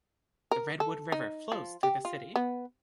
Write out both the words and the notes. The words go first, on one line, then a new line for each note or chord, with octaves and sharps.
The Redwood River flows through the city.
A#4
A4
D#4
F3
G4
F4
B3